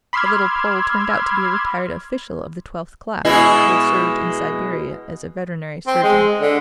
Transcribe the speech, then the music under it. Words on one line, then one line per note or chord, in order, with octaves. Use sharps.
The little Pole turned out to be a retired official of the twelfth class, who had served in Siberia as a veterinary surgeon.
B5 C6 D6 E6 F6 G#6
B2 G#3 E4
C4
G#3
D3